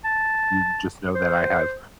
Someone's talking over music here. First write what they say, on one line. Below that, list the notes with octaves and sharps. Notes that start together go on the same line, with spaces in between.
You just know that I have
A5
C5